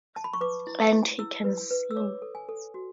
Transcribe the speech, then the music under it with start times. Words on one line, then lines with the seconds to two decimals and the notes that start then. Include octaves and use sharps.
And he can sing.
0.16 A5
0.24 B5
0.33 C#6
0.41 B4 D6
0.67 E4
0.92 E4
1.19 E4 E6
1.44 B4
1.71 B4
1.91 E6
1.96 C#5 D6
2.22 A4
2.35 G#5
2.49 A4
2.74 F#4